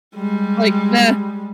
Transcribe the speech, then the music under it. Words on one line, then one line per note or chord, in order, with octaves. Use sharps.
Like the
G3 G#3